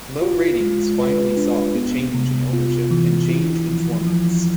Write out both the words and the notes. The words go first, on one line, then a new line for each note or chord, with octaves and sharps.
Low ratings finally saw the change in ownership and change in formats.
F4
G#3
B4
D4
B3
C3
F4
E3
E4
F3
F3